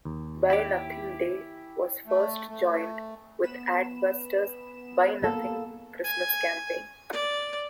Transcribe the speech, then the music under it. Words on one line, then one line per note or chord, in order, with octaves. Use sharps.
Buy Nothing Day was first joined with Adbuster's Buy Nothing Christmas campaign.
D#2
E4 G4
A3
A3
B3 B5 E7
A#3 A4
G#5
D5